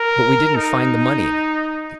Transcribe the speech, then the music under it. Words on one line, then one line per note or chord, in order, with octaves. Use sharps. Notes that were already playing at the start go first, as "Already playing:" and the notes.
But we didn't find the money in it.
Already playing: A#4
D#4